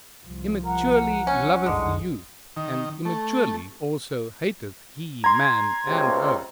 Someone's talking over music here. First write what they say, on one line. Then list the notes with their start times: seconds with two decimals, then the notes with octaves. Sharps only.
Immaturely loveth the youth, and immaturely also hateth he man and earth.
0.24 C2 F3
0.65 A#4 F#5
1.27 C#4
1.66 F1 C2 F#2 D3 G#3
2.56 D#3
3.05 A3
5.24 A#5 C6 G#6
5.86 C#2 C3